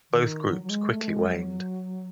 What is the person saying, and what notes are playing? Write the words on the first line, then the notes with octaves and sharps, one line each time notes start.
Both groups quickly waned.
D#3
F#3
F#3
G#3
A3
G#3
F#3